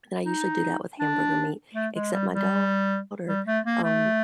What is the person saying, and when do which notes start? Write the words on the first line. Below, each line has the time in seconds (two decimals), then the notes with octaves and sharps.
and I usually do that with hamburger meat, except my daughter, um,
0.24 D#4
1.00 D4
1.75 A3
1.95 G#3
2.13 G3
2.33 G3
3.28 G3
3.46 A3
3.66 A#3
3.83 A3